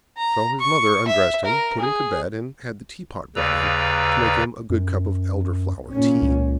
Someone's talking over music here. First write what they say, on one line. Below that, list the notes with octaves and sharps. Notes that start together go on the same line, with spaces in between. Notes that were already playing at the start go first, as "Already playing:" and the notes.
So his mother undressed him, put him to bed, and had the tea-pot brought in, to make him a good cup of Elderflower tea.
A#5
C#6
E5
A#4
G#4
D#2 C#3 B4 D5 A#5 E6
F#2
A#2 C#4
C#2